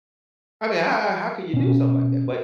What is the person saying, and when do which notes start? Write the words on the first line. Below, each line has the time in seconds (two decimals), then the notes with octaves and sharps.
I mean, how how how can you do something like that? But
1.54 B2 C#4